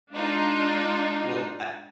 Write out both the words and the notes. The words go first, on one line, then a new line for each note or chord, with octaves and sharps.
Well, I
G#3 D4 D#4 F4